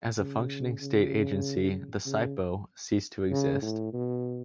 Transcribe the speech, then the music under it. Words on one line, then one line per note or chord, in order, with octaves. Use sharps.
As a functioning state agency, the SiPo ceased to exist.
C#3
C#3
C#3
C#3
A2
B2